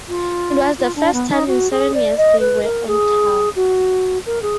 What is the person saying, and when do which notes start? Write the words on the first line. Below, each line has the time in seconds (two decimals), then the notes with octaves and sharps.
It was the first time in seven years they were on tour.
0.08 F4
0.78 F4
0.95 D4
1.13 B3
1.30 D#4
1.47 F#4
1.71 G#4
1.94 D5
2.17 D#5
2.40 B4
2.63 A#4
2.87 G#4
3.55 F#4
4.26 A#4
4.42 G#4